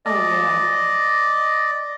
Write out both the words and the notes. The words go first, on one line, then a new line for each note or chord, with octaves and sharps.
Oh yeah.
D5 D#5